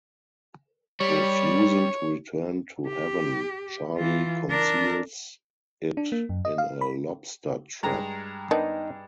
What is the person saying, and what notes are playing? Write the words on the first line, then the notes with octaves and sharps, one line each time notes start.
Refusing to return to Heaven, Charlie conceals it in a lobster trap.
G3 C#5
G4
E3 F4
D4 A#4
D4
A#3
F#2
D#5
F5
B5
G2 G#3 A#5
D#3 B3 D4 D#4